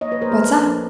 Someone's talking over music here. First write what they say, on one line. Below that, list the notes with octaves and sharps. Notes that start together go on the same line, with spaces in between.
'What's up?
A#3 C#5 D#5
B4 C#5
A#3 A#4 C5
A4 B4
F3
F3